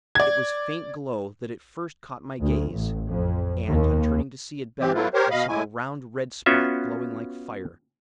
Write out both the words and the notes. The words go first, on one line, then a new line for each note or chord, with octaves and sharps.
It was faint glow that at first caught my gaze; and, on turning to see it better, I saw a round red spot glowing like fire.
D5 G#6
D2
A1
F2
D#2
E3 C4 G4
F#3 A3 B3 E4 F4
G4 A#4 C5 C#5
B2 D#5 F5 B5
A2 G#3 E4 G#5
B3 C#4 F4 F#4 E5